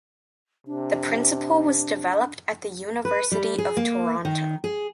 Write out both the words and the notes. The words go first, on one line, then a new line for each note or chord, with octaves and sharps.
The principle was developed at the University of Toronto.
C3 D4
B4
G3
G#4
A#3
D#3
G#4